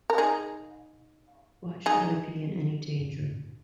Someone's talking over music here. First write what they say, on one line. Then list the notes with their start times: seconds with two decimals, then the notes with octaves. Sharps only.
Why should I be in any danger?
0.10 A#4
0.18 D#4 G#4
1.86 D#4 G#4